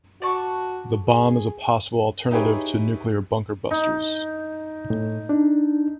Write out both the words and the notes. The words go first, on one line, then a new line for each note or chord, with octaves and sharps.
The bomb is a possible alternative to nuclear bunker busters.
F#4 D5 A5 C#6
G#4
D#4 E4 G4 G#4 B4 C#5
D#4
A2
D4 D#4